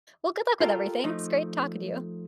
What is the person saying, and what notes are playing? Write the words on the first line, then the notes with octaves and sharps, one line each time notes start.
well, good luck with everything. It's great talking to you.
F4 G4 A4 A#4
F3 A3 D#4